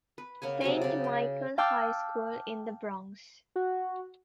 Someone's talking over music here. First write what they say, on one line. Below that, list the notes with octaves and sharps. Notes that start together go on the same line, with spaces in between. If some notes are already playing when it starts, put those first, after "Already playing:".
Saint Michael High School in The Bronx.
B4
C#3 A#3 F#5 G#5
C3 F#3 G#4 G#5
C#3 D5
G5
F5 G5 A5 D6 E6 G6
F#4